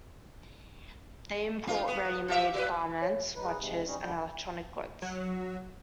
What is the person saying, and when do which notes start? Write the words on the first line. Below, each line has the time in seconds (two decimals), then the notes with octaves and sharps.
They import ready-made garments, watches and electronic goods.
1.67 G2 F4
1.88 B3
2.28 F4 G4 E5
2.54 F#3 B4
3.02 C#5
3.36 G#2 D#4 B4
3.57 G#2 C3
3.85 G3 C#4 D#4
4.01 D2 B2 D3 G3 G5
5.02 F#3